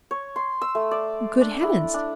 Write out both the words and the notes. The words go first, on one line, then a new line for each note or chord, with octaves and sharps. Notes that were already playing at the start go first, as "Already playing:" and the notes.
Good heavens!
C#5
C6
E6
A3
D5
D4
E4
D4